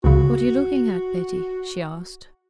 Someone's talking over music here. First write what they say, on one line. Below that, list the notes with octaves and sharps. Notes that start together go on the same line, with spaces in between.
"What are you looking at, Betty?" she asked.
C#2 C#3 F#4